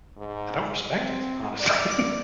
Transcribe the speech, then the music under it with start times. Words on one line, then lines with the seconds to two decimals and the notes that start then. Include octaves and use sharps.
I don't respect it, honestly,
0.18 G#2
0.96 C4
1.60 D5